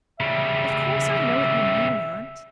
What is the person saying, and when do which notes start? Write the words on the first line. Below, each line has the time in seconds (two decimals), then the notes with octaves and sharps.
"Of course, I know what you mean, aunt?"
0.20 C#3 G3 E5